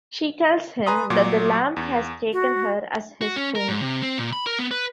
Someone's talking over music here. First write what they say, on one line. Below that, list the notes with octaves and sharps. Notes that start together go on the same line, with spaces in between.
She tells him that the Lamb has taken her as His queen.
B4 G#5 A#5 C6 D#6
A#2 F#3 D6
E2
F#4
F#4
C#4
A#4
G#2
C3
C4
A#2
B5
A#4
B3
B4